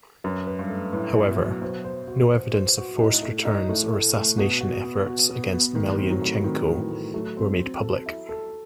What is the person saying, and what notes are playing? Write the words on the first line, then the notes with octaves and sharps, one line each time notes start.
However, no evidence of forced return or assassination efforts against Melnychenko were made public.
F#2 B4
B4
G2
A3
A2 B4
E4
B2
F#3
B2 C5
C5
F#4
C5
C5
F#4
A2 D#4
A3
D#4
A2 A3
A3
A3
B2 F#4
F#4
B3
F#4
B3
B3
A2 D#3
C4
F#3
A2
D#3 C4
A2
E3
A2
F#3 A3
C4
C4
A4
E4
A4